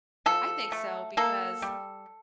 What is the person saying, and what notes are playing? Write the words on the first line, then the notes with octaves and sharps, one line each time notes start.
I think so because
F3 A4
A3
A#3 A4
G3